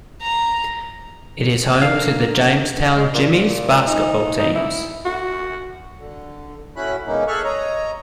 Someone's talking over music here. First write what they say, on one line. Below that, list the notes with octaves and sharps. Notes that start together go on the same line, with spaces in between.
It is home to the Jamestown Jimmies basketball teams.
A#5
F3 A#3 D4 F#4 A4 D5 F5
G#3
A#2
D#4
D#4
E4
F#4
D3
A2 C#4 E4 F#4 B5 F#6
B2 G#3 A#3 C#4 D#4
G#4 A4 E5 C#6 F6 F#6
C#5 D#5 A#5